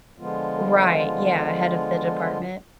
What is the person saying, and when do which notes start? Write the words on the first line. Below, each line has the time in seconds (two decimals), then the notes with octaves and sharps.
Right, yeah, head of the department.
0.18 D3 F3 G#3 B3 F4